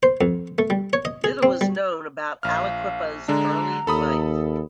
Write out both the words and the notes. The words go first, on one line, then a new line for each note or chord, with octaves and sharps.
Little is known about Aliquippa's early life.
C5
F2
A3
G3
C#5
D#5
G#4
C4
G3
A#1 F5 F6
D3 G#3 D4 A#5
D#2 A4 B5 D#6